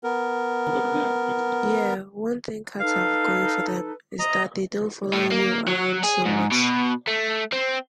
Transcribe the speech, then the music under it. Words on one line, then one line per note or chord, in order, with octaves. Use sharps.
Yeah, one thing cats have going for them is that they don't follow you around so much.
B3 A#4
D#4 A4 B4 F5
D#5 A#5
A2
A#3
F#3
G#4
G#2
B2
A3
C4